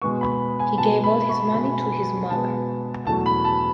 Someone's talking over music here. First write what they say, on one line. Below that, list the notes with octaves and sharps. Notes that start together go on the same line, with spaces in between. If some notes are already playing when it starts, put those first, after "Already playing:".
He gave all his money to his mother.
B2 G#3 B3 C#6
B5
G#5
B2 G#3 B3 A5
B5
C#6
B2 G#3 B3 B5
B2 G#3 B3 A5
E2 B2 F#3 A3 A5
B5
A5